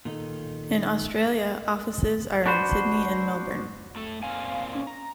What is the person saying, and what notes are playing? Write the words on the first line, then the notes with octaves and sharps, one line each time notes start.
In Australia offices are in Sydney and Melbourne.
A#2 D#3 D#4 A4
D4 F#4 B4 C5
A2 A3 A4
A#2 C4 F5 G#5
C#4
A#5